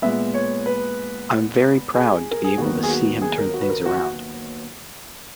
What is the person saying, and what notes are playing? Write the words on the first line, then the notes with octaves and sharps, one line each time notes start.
I'm very proud to be able to see him turn things around.
A#2 G#3 B3 E5
C#5
B4
G#4
A#4
G#4
D#2 D#3 F#3 B3 F#4
G#4
F#4
G#4
A#4
F#4
B4
A#4
F#4